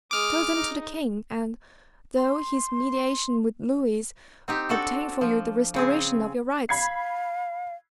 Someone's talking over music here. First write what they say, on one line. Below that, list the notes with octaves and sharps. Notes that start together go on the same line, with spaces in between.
"Show them to the king, and, though his mediation with Louis, obtain for you the restoration of your rights."
G#3 D6 D#6 F6
D#4
C6
C4 D#4 G4
D4 F#4 A4
F3
C#3 C4 G#4
F5 B5 G#6 C7